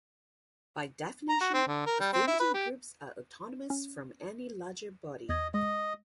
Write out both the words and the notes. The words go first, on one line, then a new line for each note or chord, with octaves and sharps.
By definition, Affinity groups are autonomous from any larger body.
A#5
F#4
C4
D3
A#4
G3
C4
E4
B4
G4
C#4
E2 D#5 G#6 A6
G#3 D#5